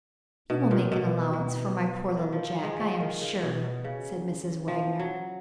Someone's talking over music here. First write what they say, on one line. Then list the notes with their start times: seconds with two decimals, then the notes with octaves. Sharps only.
"You will make allowances for my poor little Jack, I am sure," said Mrs. Wagner.
0.50 B2
0.71 A#2
0.92 B2
1.33 B2
2.17 D#3
2.32 F3
2.48 F3
2.64 F3 G#3
2.79 F3
3.01 D#3
3.21 C#3
3.43 B2
3.64 B2
3.84 C#3
4.68 F3
4.99 F#3